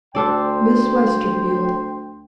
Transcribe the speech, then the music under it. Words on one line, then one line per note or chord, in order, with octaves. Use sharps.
Miss Westerfield.
D2 D4 A4 C5 D5 G5